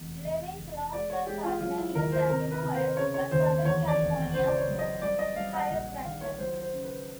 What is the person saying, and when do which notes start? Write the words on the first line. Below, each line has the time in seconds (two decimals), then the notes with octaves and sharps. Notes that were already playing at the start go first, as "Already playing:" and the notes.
Levin's longtime partner is Andy Mauer, a Southern California chiropractor.
Already playing: F1 E2
0.24 F1
0.59 F1
0.93 G#3 D5
1.10 C#5
1.27 G#3 G4
1.44 F4
1.61 F#3 F4
1.78 E4
1.95 D#2 A#4
2.12 C5
2.29 C3 A#4
2.52 B4
2.63 C3
2.75 C5
2.97 C#3 C#5
3.14 C#5
3.31 D#2 C5
3.65 E2 C#5
3.88 D5
3.99 F1
4.34 C#2 C5
4.47 D5
4.57 C#5
4.68 F#3
4.79 D#5
5.01 G3 D5
5.19 D#5
5.36 G3 F5
5.53 F#5
5.70 A#1 F#5
6.04 D#3 F5
6.21 C#5
6.38 F#3 C5
6.61 C5
6.72 C#3
6.84 B4